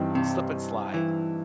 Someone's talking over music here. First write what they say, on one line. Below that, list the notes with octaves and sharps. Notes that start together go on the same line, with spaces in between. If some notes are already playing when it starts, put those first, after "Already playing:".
a Slip 'N Slide
Already playing: G2 E3 G3 C4 D#4
C3
E3